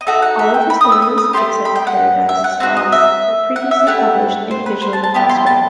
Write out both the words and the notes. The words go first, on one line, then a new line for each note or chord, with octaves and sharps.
All of the stories, except "Paradises Lost", were previously published individually elsewhere.
D#5
D#4 F#4 A4 E5
F#5
E5
G5
B5
D#6
E6
D#6
D#6
A3 E4 G4 C6
B5
G5
F#5
E5
F#5
C4 D#4 F#4 E5
D#5
E5
F#5
E5
A3 E4 G4 F#5
C5
B4
C5
A5
A5
B3 E4 G4
C6
A5